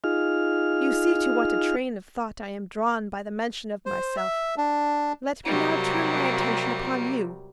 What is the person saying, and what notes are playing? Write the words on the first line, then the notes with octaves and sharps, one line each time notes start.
'You see to what a train of thought I am drawn by the mention of myself. Let me now turn my attention upon you.
D#4 F4 G#4 F6
C5
E5
D4
C3 F#3 G3 A#3